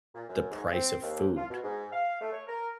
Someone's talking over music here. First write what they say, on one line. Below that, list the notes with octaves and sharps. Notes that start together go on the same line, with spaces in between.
the price of food.
A#2
F#2
G#2
C4
D#2
F4
B2
G#2
F5
A3
C#5
A#4